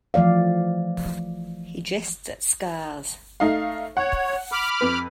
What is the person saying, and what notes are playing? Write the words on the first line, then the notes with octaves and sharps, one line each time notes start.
He Jests at Scars...
E3 F3 A3 D5 F5
A3 D#4 F5
C#5 F#5
B5 D6 F6
F2 B4